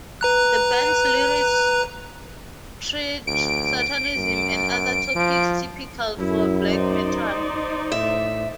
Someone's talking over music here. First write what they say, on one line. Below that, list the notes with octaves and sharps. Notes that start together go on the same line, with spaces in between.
The band's lyrics treat Satanism and other topics typical for black metal.
B4 A#5 F#6
D2 D7
F#2
F3
F#2 E4
D#4 C5 D5
A2 E5